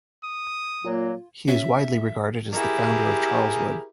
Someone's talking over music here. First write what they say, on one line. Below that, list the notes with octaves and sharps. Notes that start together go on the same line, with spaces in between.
He is widely regarded as the founder of Charleswood.
D#6
A#2 F#3 A#3 F4
C#4 F#4 C#5 E5
E4 G4 G#4 A#4